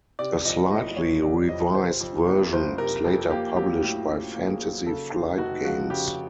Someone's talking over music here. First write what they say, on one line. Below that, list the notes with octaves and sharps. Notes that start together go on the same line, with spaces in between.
A slightly revised version was later published by Fantasy Flight Games.
C3 D5
F2 D#5
F#1 D#5
E3 C#5
C3 D5
F2 D#5
C3 C5
F2
F#1
F#1 C5
C3 A#4
F2 A4
A#3 G4
F#3 G4
A2 G4
C#4 G4
A#3
G#4
F#3
C#3 A4
D#2
F1 F#4
F3 F#4
C#3 G4